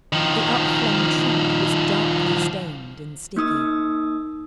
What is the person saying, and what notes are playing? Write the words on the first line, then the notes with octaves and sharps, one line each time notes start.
The up-flung trunk was darkly stained and sticky....
D#3 F3
A#3 D#4 D#6 E6